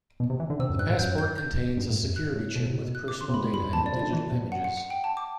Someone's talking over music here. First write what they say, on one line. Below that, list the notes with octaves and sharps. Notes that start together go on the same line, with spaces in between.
The passport contains a security chip with personal data and digital images.
B2
C3
E3
D3
C3 E6
F#2
G2 F#6
A2
F#2 G6
G6
G6
G2
A2
F#2
F#6
A2
B2
C3
B2
F#6
D6
C6
B2
A2 B5
B2
A2
G2 B5
F#2
E2 A5
F#2 D5
C3
D3 D5
E3
B2
F#2
F#5
F#5
F#5
G5
A5
D6